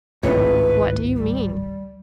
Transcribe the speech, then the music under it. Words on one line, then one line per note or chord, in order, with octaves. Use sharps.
"What do you mean?"
G#1 C#2 A2 B4
G3